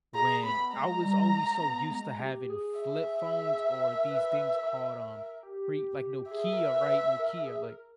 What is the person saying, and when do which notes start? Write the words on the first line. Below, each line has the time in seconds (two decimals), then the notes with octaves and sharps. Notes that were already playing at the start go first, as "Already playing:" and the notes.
when I was always so used to having flip phones or these things called, um, pre like, Nokia, right? Nokia, like
0.15 G#4 A#5
0.44 B3 B5
0.73 G#3 A#5
1.02 G3
1.32 G#3
1.61 B3
1.91 G#3
2.20 G4
2.50 G#4
2.79 E5
3.67 A#4
4.11 B4
4.55 A#4
5.43 G4
6.31 G#4 E5
6.53 A#4
6.75 B4
7.19 A#4
7.41 G#4
7.63 A#4